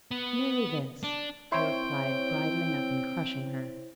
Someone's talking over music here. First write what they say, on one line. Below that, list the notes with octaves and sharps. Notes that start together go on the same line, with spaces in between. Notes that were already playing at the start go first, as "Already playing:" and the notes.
'Merely this,' I replied, bridling up and crushing her.
B3
D4
C4 E4 C5 C#5 G5